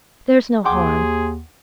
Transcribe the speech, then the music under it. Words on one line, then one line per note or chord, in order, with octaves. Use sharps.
'There's no harm.
D#2 G#4 F#5 G5 C6 D6